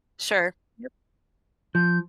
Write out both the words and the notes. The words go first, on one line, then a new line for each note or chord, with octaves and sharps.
Sure, yep.
F3 G6